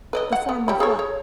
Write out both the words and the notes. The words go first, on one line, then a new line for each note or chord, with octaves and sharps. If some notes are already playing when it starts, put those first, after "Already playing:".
The form of what?
B4 D5 D#5
F#5
B3
G3 C#5 B5
G#4 A4 C#5
C#5